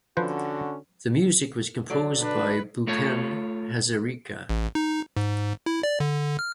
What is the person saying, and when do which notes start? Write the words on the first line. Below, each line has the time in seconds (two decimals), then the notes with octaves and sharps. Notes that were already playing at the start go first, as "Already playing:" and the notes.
The music was composed by Bhupen Hazarika.
0.17 D3 F3 C#4 F#4 B4 C5
1.90 D3 F#3 D5
2.21 D4 B4
2.87 A3 F4 C#5
4.49 A1
4.75 D#4
5.17 G#2
5.66 E4
5.83 D5
6.00 D3
6.39 F6